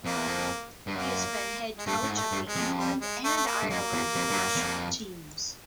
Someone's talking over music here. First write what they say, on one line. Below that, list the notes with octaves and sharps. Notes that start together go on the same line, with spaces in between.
He has been head coach of the England and Ireland national teams.
F2 A#3
E2
F2
G2
F#2 A#3
G#3
G2 A3
A2
G#2
A3
G2
G#3
F2
G3
G#3
A3
A3
A#3
G2
F#2 A#3
E2
F2
G2
F#2
E2
F2